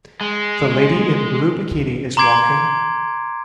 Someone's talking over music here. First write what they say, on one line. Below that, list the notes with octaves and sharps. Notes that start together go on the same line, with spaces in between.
The lady in blue bikini is walking.
G#3
A#5 C6 D6 G#6 C7 D7